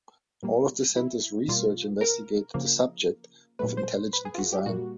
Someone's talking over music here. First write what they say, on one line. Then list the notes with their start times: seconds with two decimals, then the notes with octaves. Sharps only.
All of the center's research investigated the subject of intelligent design.
0.43 A#2 G3 A#3
0.96 E4
1.48 B2 G3 A#3 F4
2.01 A#4
2.54 C#3 F3 A#3
3.59 A#2 F#3 A3 B4
3.77 C5
4.13 B4
4.25 G#4
4.35 F4
4.38 F#4
4.53 G4
4.66 A#2 G3 A#3 F#4